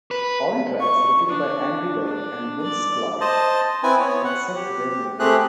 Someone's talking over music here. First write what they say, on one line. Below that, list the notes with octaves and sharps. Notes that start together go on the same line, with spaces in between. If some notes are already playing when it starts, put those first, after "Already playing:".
All tracks written by Andy Bell and Vince Clarke, except where noted.
B4
C#6
D4
D4
D5
C5 D#5 A5
C4 E4 B4 G#5
B3 C#5
F#5
G4
A3 C4 G4 G#4 F#6